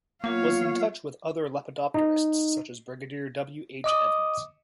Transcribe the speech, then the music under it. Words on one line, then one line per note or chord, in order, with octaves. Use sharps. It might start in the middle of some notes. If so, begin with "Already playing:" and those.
Was in touch with other lepidopterists such as Brigadier W. H. Evans.
F#3 A#3 B3 F4 C#5 F5
D#4
D#5 D6 D#6